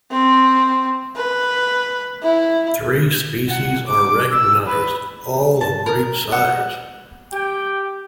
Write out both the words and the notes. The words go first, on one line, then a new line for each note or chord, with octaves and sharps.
Three species are recognized, all of great size.
C4
B4
E4
F#5
D6
E6
B4
A5
A#4
F#5
G4 G5